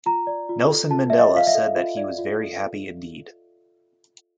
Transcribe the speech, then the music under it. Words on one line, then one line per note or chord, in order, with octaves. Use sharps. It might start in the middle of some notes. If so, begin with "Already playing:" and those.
Nelson Mandela said that he was "very happy indeed".
F4 A#5
D5
F4
A4
F4 A5
D5 E5
D#5
F4 F5
E5
A4
F4
D5
F4
A4